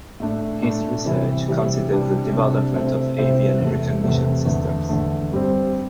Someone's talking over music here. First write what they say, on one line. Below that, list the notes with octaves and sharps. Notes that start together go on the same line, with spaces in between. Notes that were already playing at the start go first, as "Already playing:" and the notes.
His research considers the development of avian recognition systems.
A2 A3 D4
A2 A3 D4
C3 E3 G3 E4
C3 E3 G3 E4
C3 G3 D4
C3 G3 D4
C3 A3 E4 C5 E5
C3 A3 E4 C5 E5
E2 C3 A3
E2 C3 A3
E2 D3 A3
E2 D3 A3
G2 G3 C4